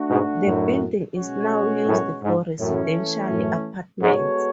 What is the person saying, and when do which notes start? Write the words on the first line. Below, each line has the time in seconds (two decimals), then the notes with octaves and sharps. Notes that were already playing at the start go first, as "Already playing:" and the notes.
The building is now used for residential apartments.
Already playing: A3 D4 F#4
0.09 G#2 B2
0.45 F#2 A2
1.16 B2 G#3 C#4 F#4 C#5
1.87 F#2 A2
2.23 G#2
2.59 F#2 A2 E3 A3 C#4
3.30 F#2 A2
4.01 G#2 G#3 B3 F#4 A4 C#5